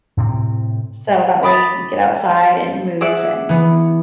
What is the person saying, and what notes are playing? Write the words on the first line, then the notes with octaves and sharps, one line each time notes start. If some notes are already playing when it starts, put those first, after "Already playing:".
So that way you can get outside and move, and
A2 C3 C4
B5 D6 D#6 A6 B6
G#4 D5 E5 F#5 D6 E6
E3 B3